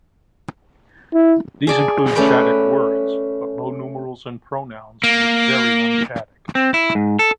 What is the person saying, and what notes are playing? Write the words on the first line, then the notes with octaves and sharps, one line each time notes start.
These include Chadic words, but low numerals and pronouns look very un-Chadic.
E4
G#4 D5 A5
A3 C#4 B4 D5 G5 B5
A#3
C4
E4
G#2
A4